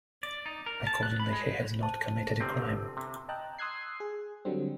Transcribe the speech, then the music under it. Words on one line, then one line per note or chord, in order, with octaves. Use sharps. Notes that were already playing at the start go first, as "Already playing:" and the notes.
Accordingly, he has not committed a crime.
D5
D#4
A#4
A5
F#6
B5
G#3
C5
C5 A5
G1 C3 C4
C3
D#5 G5 A5 A#5 F#6
C6 D#6 E6 F#6 G#6 C7
G#4
D3 F#3 G3 C4